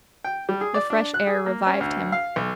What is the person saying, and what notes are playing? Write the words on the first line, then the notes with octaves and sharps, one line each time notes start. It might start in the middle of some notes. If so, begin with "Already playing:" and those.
The fresh air revived him.
G5
G3
G#4
D5
D4
F#6
G#4
A#3
C#4
D2
F5
B1